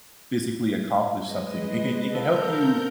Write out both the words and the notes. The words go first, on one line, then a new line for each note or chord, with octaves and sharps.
physically accomplished something. It can it can help you
G#3 B4 D#5
D3 F3 A4 A#4 G6